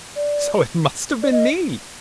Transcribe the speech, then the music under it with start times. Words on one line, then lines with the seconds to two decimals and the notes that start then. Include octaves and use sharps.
So it must have been me!
0.16 D5
1.23 D5
1.32 D#5